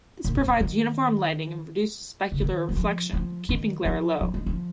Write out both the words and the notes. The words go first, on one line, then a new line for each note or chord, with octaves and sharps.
This provides uniform lighting and reduces specular reflection, keeping glare low.
A#2
G#2
A#2
D#3
C#3
D#3
G#3
F3
F3
D#3
F3
F3
G#3
F3